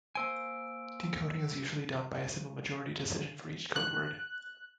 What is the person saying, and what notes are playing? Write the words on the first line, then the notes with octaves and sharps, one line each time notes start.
Decoding is usually done by a simple majority decision for each code word.
A#3 C5 G#5 E6 D7
F#6